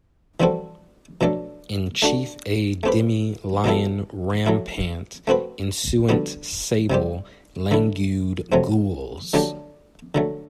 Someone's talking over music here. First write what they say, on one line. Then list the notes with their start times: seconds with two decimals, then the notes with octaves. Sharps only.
In chief a demi lion rampant issuant sable, langued gules.
0.40 E3 G3 C4 F#4 A4
1.21 B2 F#3 A3 D4 A4
2.02 A3 D4 F#4
2.83 A3 C4 G4 B4
3.64 B2 F#3 B3 E4 A4
4.46 F#3 A3 E4
5.27 A3 C4 F#4 B4
6.09 D3 G3 B3 F#4
6.90 C3 G3 C4 G4
7.71 D3 A3 E4
8.52 C3 F#3 A3 C4
9.34 D3 F#3 A3 D4 G4
10.15 D3 F#3 A3